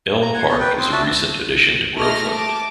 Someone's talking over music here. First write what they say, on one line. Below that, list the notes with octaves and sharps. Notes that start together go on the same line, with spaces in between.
Elm Park is a recent addition to Groveland.
A#5
F#5 G#5
B3 C#5 D5
B4 G5
C4 C6 D#6
F#4 D5 E5 A5
A3 D#5 F6 A#6
A5 D6